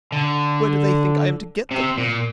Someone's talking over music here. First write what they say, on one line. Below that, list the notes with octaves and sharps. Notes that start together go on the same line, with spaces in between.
Where do they think I am to get them?
D3
C3
A#2